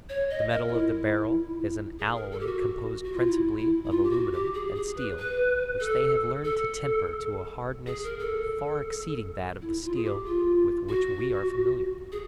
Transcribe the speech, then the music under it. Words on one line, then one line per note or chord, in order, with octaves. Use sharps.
The metal of the barrel is an alloy composed principally of aluminum and steel which they have learned to temper to a hardness far exceeding that of the steel with which we are familiar.
C#5
D#5
A#4
F4
E4
G#4
A#4
A4
G4
F#4
F#4
F4
E4
E4
E4
F4
G4
F#4
G4
G#4
G#4
B4
B4
A4
A4
G#4
A#4
A4
E4
F4
G#4
G4
F4
F#4
G#4